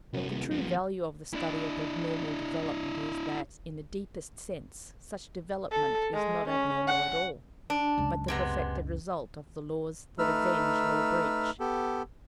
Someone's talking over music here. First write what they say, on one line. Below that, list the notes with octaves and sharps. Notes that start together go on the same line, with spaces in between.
But the true value of the study of abnormal development is that, in the deepest sense, such development is not abnormal at all, but the perfected result of the laws that avenge law-breach.
C2 F#2 B3
D#1
F3 B3
D4 E4
A4
G#3
C#4
F#5
D4
C#2 F#2
C3 G#3 B3
A3 D#4 B4 E6 F6
B3 G4 A4